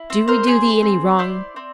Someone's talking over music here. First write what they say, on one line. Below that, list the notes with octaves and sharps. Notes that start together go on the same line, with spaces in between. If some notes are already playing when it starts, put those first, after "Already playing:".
Do we do thee any wrong?
Already playing: E4
C4
A#4 C5
G#4
C4
E4 C5 D5
C4